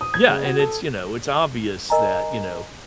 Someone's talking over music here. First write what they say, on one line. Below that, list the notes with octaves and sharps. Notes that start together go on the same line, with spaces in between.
Yeah, and it's you know, it's obvious that you know,
D#6
G#6
C#3
F#4
A4
A#4 D#5 G#5 A#5